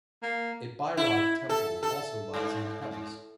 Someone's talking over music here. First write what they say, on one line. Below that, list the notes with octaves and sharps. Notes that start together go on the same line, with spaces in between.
A Bhairab temple also lies in the premise.
A#3
E4
A4
A4
G#2